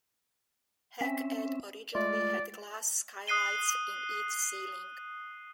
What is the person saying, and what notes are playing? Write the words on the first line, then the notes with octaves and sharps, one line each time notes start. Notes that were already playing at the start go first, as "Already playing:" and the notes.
Hec Ed originally had glass skylights in its ceiling.
C4 C#4 E5
G#3 A3 F4 D5
D#6 F#6 C7 D#7 G7